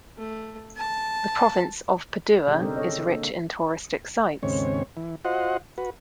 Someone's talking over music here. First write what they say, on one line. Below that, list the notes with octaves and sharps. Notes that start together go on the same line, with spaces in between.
The province of Padua is rich in touristic sites.
A3
A5
B2 D#3 G3 D4 G4 G#4
C#3 C4 D#4 A4 A#4 C5
A4 C#5 D#5
D3
A#3
D#2 G#2 C#3 C4 C#5
E3
F4 F#4 C5 D#5 F#5
F#4 B4